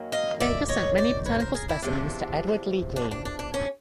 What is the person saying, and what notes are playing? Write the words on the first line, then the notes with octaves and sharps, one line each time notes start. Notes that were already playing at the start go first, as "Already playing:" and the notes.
Baker sent many botanical specimens to Edward Lee Greene.
Already playing: F#2 D#3 F#3 A#3
D#5 F5
D5 E5
C#5 D#5
C5 D5
B4 C#5
A#4 C5
G#4 A#4
D4 E4
E2 C3 F3 D4
D4
D4
D4
D4
C#4